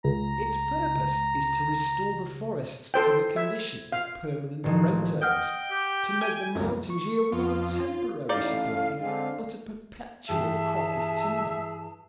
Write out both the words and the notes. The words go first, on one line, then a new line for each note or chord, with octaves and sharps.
Its purpose is to restore the forests to the condition of permanent rent-earners, to make the mountains yield not a temporary supply, but a perpetual crop of timber.
C#2 A#5
A4 C5 G5
E5 G#6
F5
A1 D#3 F3
D#5 F#5 G5 F6 G6
G4
G#5
C#2 F#2
C#6
F2 F4
A1 A2 D#4 G4 D5 F5
D3 G#3 C4 F5
G2 E3 G4 G#4 E5 A5